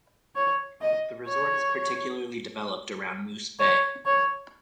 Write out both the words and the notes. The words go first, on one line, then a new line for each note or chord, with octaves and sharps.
The resort is particularly developed around Moose Bay.
C#5
D#5
C#5
C#5
C#5